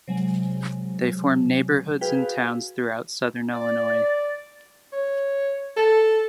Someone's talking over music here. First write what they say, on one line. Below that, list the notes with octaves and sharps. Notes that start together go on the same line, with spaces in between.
They formed neighborhoods in towns throughout Southern Illinois.
C3 F#3 G#3
F#4 G#4 B4 F5 G5
D5
C#5
A4